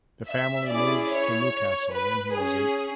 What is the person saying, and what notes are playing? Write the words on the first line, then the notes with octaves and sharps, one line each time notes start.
The family moved to Newcastle when he was eight.
E5
C#4 E4 G#4 D5
C#5
B4
C#4 G#4